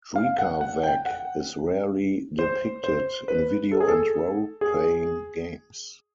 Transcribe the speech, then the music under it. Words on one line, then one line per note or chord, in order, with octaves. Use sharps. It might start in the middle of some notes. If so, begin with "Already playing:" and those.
Drekavac is rarely depicted in video and roleplaying games.
F5
F#5
F#5
G5
F#5
C5
C5
B4
A4
G#4
A4
G#4